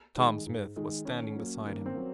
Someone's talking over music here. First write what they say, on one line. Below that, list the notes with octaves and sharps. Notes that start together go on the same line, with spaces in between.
Tom Smith was standing beside him.
D#3 G#3 D#4
G#2
D#3 G#3 D#4
D#3 C#4
F#3 A#3
D#3 A#3
C4
F#3 A#3